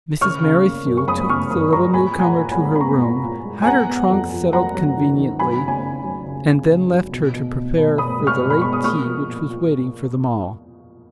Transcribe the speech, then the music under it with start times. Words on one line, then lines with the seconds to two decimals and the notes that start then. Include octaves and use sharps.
Mrs. Merrithew took the little newcomer to her room, had her trunks settled conveniently, and then left her to prepare for the late tea which was waiting for them all.
0.21 C#3 C#6 F6
0.43 C#3
0.65 A#3
0.86 F#2
0.97 C#6
1.08 F#2 B5 D#6
1.29 C#3 C#6 F6
1.51 F#2 B5 D#6
1.72 F#3 A#5 C#6
1.94 A#2 G#5 B5
2.15 A#2 G#5
2.23 F#5 A#5
2.37 A#2
2.52 G#5 B5
2.59 G#3
2.75 B5
2.80 B3 A#5 C#6
3.02 A#2
3.24 A#2
3.45 G#3
3.62 G#5
3.67 B3 F#5 A#5
3.88 B3
4.10 F2
4.31 F2
4.53 F#3 F#5 A#5
4.75 F#3
4.96 D#3
5.18 D#3
5.39 F#3 G#5 B5
5.61 C#3
5.68 G#5 B5
5.83 C#3
6.04 F#3
6.26 C#3
6.47 C#3
6.69 C#3
6.91 F#3
7.12 B2
7.33 B2
7.55 B2
7.77 B2
7.98 B2 B5 D#6
8.20 G#3
8.27 C#6 F6
8.41 B2
8.50 B5
8.61 G#3 C#6
8.73 D#6
8.84 A#3 C#6 F6
9.06 F3
9.28 A#2
9.49 A#2